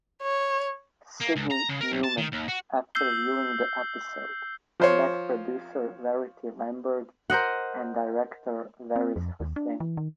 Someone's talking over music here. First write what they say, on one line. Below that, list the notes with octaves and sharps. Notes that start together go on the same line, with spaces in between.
Sydney Newman, after viewing the episode, met producer Verity Lambert and director Waris Hussein.
C#5
A#3
C#2
A#5
C#3
A#4
B1
A5
D#3
D#2
F#4
E6 G6 C7 G7
F3 C5 C#5
A#4 C5 D#5 F#5
C4
F2
D#2
D4
E3
D#3